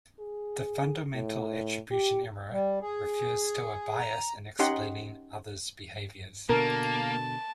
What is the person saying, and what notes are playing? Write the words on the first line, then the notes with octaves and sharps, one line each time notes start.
The fundamental attribution error refers to a bias in explaining others' behaviors.
G#4
A2
G4
G3
G#4
A#5
C#4 D#4 G4 F#5 C6
B2 D3 A#3 A#4 A5